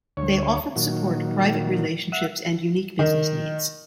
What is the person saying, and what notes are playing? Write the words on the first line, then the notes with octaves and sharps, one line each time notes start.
They often support private relationships and unique business needs.
D2 C#5
A#2 D#3 F#3
E5 F#5
D#3